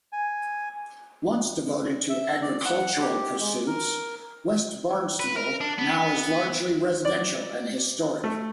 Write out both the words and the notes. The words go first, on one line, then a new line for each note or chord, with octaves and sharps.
Once devoted to agricultural pursuits, West Barnstable now is largely residential and historic.
G#5
E5
D5
F#5
G4
G#3
A#4
B4
A#4
D4
B3
D5
A3